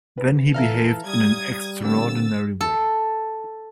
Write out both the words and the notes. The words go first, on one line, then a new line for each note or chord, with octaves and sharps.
Then he behaved in an extraordinary way.
B4
E3 A4 E5 F5 A#5 F6
G3 D#6 G#6
D3 A#3 C4 E6 A6
A4